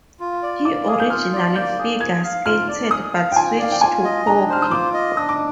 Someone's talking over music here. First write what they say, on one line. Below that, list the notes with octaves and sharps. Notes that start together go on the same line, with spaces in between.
He originally figure skated but switched to hockey.
F4
D5
A#3 D6
G#4
G6
F4 F6
D5
A#3 G6
G#4
G#4 G#6
F5
F4 F6
D5
G#4 D#6
F5
G5
F4 G#5
D5 F5
G5
F4 G#5
D#5
D4 A#5
C5 F6
D#6
F4 D6
D#5
D4 D#6
D6